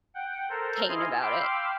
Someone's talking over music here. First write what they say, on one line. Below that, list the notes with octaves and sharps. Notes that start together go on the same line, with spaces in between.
pain about it.
F#5 G5
A4 A#4 C5
E4 G#4 D#5 F5 G#5 C6
F5 G5 B5 C6 D6 E6